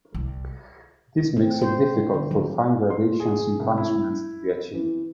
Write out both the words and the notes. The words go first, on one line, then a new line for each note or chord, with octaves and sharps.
This makes it difficult for fine gradations in punishments to be achieved.
C2
C4
C5
D3
F#3
C6
G#4
C2
E4
E3